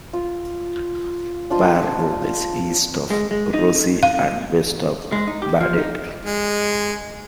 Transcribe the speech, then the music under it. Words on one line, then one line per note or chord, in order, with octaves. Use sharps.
Warroad is east of Roseau and west of Baudette.
F4
D4 F4 C5 D#5
G#3
G#3
D#4
F5
G#3
D#4
G4
F3
D#4
G#3